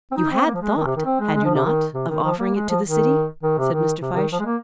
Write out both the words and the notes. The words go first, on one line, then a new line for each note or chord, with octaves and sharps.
"You had thought, had you not, of offering it to the city?" said Mr. Fyshe.
C4
D#4
C4
A#3
F3
G#3
D#3
C3
D#3
C4
G#3
G#3
F3
C3
D#3
C3
D#3
F3
A#3
G#3
F3
D#3
D#3
C3
D#3
C3
C3
D#3
F3
G#3
A#3